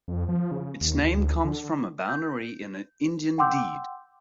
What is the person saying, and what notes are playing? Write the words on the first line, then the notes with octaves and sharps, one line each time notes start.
Its name comes from a boundary in an Indian deed.
F2
F3
C#3
D#2
D2
D3
G6
F#5 G5 C6 D6 E6 G6